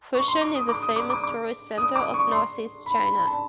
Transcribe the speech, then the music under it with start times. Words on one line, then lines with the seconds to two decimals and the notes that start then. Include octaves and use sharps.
Fushun is a famous tourist centre of northeast China.
0.15 C#6
0.28 C6
0.41 D6
0.55 D#6
0.69 D6
0.82 D#6
0.96 D6
1.10 D6
1.24 D6
1.78 D#6
1.96 D6
2.14 C#6
2.32 C6
2.86 B5
3.00 B5
3.13 B5
3.27 A5